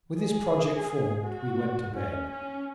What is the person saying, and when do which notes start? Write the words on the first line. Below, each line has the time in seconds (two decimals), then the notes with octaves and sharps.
With this project formed, we went to bed.
0.20 G#4
1.25 F#4
1.95 C#4
2.30 C#4